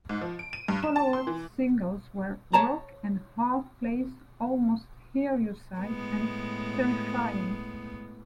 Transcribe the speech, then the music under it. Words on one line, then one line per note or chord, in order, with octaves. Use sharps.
Follow-up singles were "Rock and a Hard Place", "Almost Hear You Sigh" and "Terrifying".
G#2
F3
D7
D#7
G2
E7
A5
C6
E3
C#5 A5 A#5
A2 G#3 B3